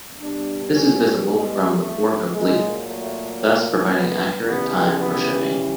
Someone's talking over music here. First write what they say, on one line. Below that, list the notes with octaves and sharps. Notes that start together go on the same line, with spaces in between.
This is visible from the port of Leith, thus providing accurate time for shipping.
B2 G3 D4
C#4
G#3
A3
A#2 F#3 G#3
A3
A#3
B3
C#3 E3 G3 B3
B3